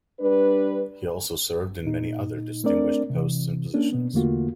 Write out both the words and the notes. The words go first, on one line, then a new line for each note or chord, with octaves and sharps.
He also served in many other distinguished posts and positions.
G3 D4 B4
A#2 D#4
A3 C4 D4 A#4 D5
C3 E3
A#3 C#4 D4
B2 B3
E2 D3 A3 A#3 F4 F#4